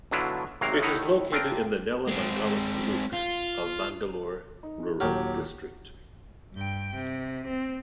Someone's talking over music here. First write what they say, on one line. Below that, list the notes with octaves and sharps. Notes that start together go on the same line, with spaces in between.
It is located in the Nelamangala taluk of Bangalore Rural district.
B2 D3 F#3 D4 E4 F4
G#1 C3 F#3 A#3 A#4 F5
A2 D#3 D#4 E4 F#5 A#5
C4 D4 F4 A#4 G5
G#3 C4
F4
D#4
D#2 A#2 F#3 G4 F6
G2 G5
C3
C4